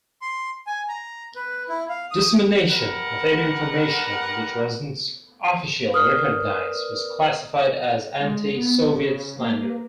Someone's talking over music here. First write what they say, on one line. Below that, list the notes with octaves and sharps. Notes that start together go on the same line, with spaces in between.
Dissemination of any information which was not officially recognized was classified as "Anti-Soviet slander".
C6
G#5
A#5
B4
E4
F5
D#6
G3 A#4 B4 F#5
A#4 B4 D5 D#6 F6
G#3
B3
C#3
A#3